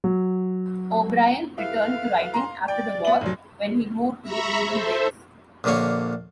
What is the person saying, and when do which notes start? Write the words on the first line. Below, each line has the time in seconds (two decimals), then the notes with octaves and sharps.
O'Brian returned to writing after the war, when he moved to rural Wales.
0.04 F#3
1.58 E4 A4 B4 F5
2.34 A#5 C6
2.68 D5 G5
3.05 B3 F#7
3.21 F1 F#3
4.23 E5 A#5 B5 C#6
4.66 A4 C5 E5
5.64 A#1 A#2 D3 A#3 C#5